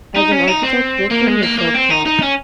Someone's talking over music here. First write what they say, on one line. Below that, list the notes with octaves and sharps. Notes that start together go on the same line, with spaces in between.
As an architect, Rickman was self-taught.
D#4
C#4
D#4
C4
A#3
G#3
A#3
A#3
C4
D#4
D#4
C#4